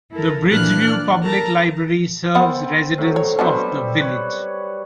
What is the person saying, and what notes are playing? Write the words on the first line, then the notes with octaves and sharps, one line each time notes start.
The Bridgeview Public Library serves residents of the village.
E4 A4 A#4
A#2 E3 D4 E4 F6 F#6
D5
A4 A#4 A5 A#5
B3 C4 A#4 F#5
A2 F#3
C#5
F#3 G3 B3 C4 D4
B4 C#5